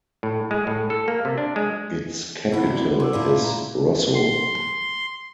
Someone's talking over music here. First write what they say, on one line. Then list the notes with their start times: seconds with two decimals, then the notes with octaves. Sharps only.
Its capital is Rosso.
0.23 A2
0.51 G#3
0.67 A2
0.90 A4
1.08 A#3
1.25 C3
1.38 D4
1.56 G#3
2.52 C3 B3 E4 F#5
2.70 A3 F#4 D5
3.00 C#4 C6 D6 E6
3.13 A#2 D3 E4 D5
3.41 A3 A#5
4.14 C6